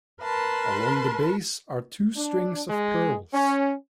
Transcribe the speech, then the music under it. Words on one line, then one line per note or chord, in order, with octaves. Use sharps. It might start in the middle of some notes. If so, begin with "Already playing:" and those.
Along the base are two strings of pearls.
A#4 B4 A5 C6
D4
G#3
C#4